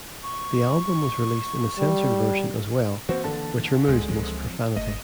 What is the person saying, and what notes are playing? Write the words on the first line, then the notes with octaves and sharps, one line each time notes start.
The album was released in a censored version as well which removes most profanity.
C#6
G3
E3 A#3 C4 F#4
D3 A5
E1 C#2 G#3
F3 F#3 C4
G1 A3 D#5